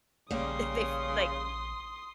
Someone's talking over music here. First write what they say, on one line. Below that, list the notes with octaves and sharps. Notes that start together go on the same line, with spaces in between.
they've, like,
A#1 C#3 G3 A#3 F5 C6 D#6